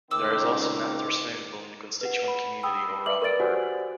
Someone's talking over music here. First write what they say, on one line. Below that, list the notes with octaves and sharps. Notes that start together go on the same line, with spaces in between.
There is also an outdoor swimming pool in the constituent community of Rottenberg.
C#2 D#3 C4 D6 E6
B4 F#5
F#5 B5
G5 B5 D#6 E6
B4 E5 D6 F#7
A#4 B4 D5 A6 D7
F#4 G4 C5 D5 F#5 G#5